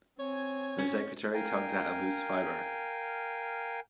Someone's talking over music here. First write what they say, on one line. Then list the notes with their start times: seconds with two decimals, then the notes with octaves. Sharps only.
The secretary tugged at a loose fibre.
0.19 C4 C#5 G#5
0.78 C#4
1.34 A#4 F5 G5 G#5